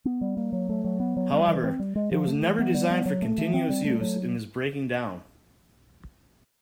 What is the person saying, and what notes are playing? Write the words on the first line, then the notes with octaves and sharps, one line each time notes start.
However, it was never designed for continuous use and is breaking down.
B3
G3
A#3
F#3
A3
F#3
B3
F#3
G3
E3
C4
G3
G#3
F3
A3
E3
B3
G3
B3
F#3
A3
E3
C4
G3
A3
F#3